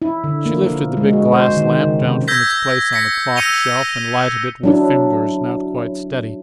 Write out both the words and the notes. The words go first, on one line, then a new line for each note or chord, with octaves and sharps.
She lifted the big glass lamp down from its place on the clock shelf and lighted it with fingers not quite steady.
E4
D3
A#3
F3
G#3
F#4
C5
D#3
C#3
C3
E6 G6 G#6 A#6 B6
A#6 B6 C#7
E6 A#6 C#7 D#7 F7 G7
F#3 D4 E4